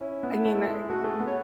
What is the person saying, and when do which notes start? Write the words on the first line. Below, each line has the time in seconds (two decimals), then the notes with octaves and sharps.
I mean, I
0.01 C#4 E4
0.23 B3
0.45 A3
0.67 G#3
0.89 A3 F#4
1.04 A3 G#4
1.20 B3
1.27 C#5